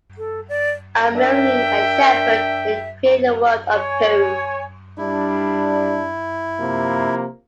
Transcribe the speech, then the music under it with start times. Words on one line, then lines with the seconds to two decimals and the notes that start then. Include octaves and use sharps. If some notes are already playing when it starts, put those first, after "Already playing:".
A. Milne and Shepard in creating the world of Pooh.
0.18 A4
0.49 D5
1.16 D4 A#4 E5 G5
3.75 C#5 G#5
4.98 G3 D4 E4
6.58 C3 F3 A#3